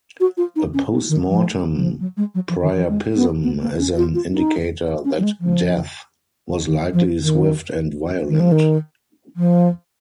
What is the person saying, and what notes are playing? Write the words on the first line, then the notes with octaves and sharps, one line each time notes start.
A postmortem priapism is an indicator that death was likely swift and violent.
F#4
F4
D#4
C#4
B3
D#3
F3
F#3
F3
F#3
G#3
F#3
F3
D#3
F3
G#3
B3
B3
A#3
C#4
F4
F4
D#4
C#4
F#3
G#3
F3
D#3
F3
D#3
D#3
F3
D#3
F3